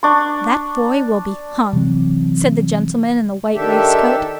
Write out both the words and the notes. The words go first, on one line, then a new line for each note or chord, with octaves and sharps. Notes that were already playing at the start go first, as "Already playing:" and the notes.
'That boy will be hung,' said the gentleman in the white waistcoat.
D4 C#6
C3 E3 F#3 C4
D#3 D4 G4 A4 E5